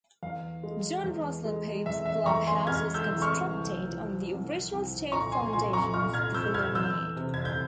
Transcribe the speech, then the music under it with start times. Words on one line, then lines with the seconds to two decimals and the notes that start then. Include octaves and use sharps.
John Russell Pope's clubhouse was constructed on the original stone foundations the following year.
0.23 E2 F5
0.63 G#3
1.04 E2
1.45 G#3
1.86 E2 E5
2.06 E5
2.26 E2 A#5 C#6
2.47 G#5 C6
2.67 G#3 F6 G#6
2.94 E6 G6
3.08 E3
3.22 C#6 F6
3.49 C2
3.89 F3
4.31 C2
4.72 C2
5.12 A#2 A#5 C#6
5.32 G#5 C6
5.53 A#2 G#5 C6
5.73 A#5 C#6
5.94 A#2 C#6 F6
6.14 F6 G#6
6.34 F3 E6 G6
6.54 F6 G#6
6.75 E2 E6 G6
7.16 C3
7.34 G#6
7.45 G6